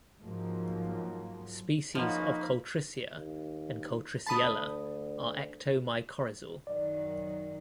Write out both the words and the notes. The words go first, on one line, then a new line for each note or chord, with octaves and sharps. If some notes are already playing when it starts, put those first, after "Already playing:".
Species of "Coltricia" and "Coltriciella" are ectomycorrhizal.
G#2 F3 F#3 A#3
C#3 F3 A#3 C#4 D#4 F#4 B5
D#2
D2 A5 B5 D#6
F#2 D#3 F#3 D5